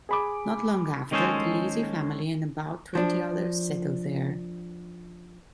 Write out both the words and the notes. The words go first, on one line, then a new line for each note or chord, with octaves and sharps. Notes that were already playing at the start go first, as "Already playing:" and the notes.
Not long after, the Leasey family and about twenty others settled there.
G#4 B5 D6
D#3 G#3 C#4 G#4 A4 C5
F3 D4